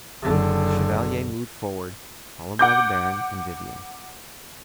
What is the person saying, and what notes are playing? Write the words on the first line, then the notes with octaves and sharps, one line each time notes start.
The chevalier moved forward, followed by the baron and Vivian.
F#1 D3
F#5 D6 G6